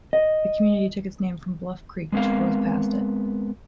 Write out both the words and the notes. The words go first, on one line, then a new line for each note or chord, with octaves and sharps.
The community took its name from Bluff Creek, which flows past it.
D#5
G#3 B3 C4 A#4 F5